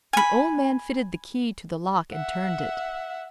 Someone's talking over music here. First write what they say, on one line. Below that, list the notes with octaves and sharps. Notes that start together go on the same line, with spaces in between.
The old man fitted the key to the lock and turned it.
G#5 B5
E5 F#5